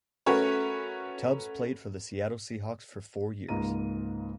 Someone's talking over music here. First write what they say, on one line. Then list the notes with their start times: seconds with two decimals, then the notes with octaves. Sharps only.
Tubbs played for the Seattle Seahawks for four years.
0.26 A3 C#4 F#4 A#4 B4 C#5
3.49 C#2 G#2 A#3 A#5 D#7